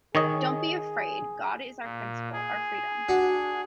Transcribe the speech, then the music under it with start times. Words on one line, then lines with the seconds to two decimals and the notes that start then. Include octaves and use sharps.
Don’t be afraid. God is our principle, our freedom.
0.15 D#3 G#4 C#5 D#5
1.82 A#2
2.32 G#4
3.09 D4 F#4